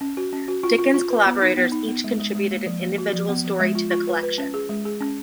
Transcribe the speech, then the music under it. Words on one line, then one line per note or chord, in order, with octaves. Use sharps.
Dickens's collaborators each contributed an individual story to the collection.
C#4
F#4
C#4
F#4
F4
F4
F4
B4
B3
D#4
B3
D#4
B3
G#3
G#3
G#3
A#3
F3
A#3
F#4
F3
B3
F3
G#3
F4
F4
B4
B4
C#4
G#4
G#3
G#4
C#4